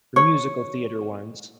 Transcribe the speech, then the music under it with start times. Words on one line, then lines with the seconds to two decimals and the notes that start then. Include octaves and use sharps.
The musical theater ones.
0.16 C#5